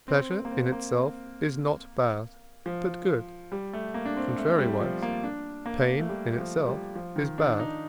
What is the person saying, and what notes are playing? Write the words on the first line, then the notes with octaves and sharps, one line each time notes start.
Pleasure in itself is not bad but good: contrariwise, pain in itself is bad.
C4
A#3
C4
A#3
F3
G3
A3
A#3
D4
C4
A3
G3
F3
A#3
D4
A#3
A3
G3
F3
G3
F3
D#3
D4
D#4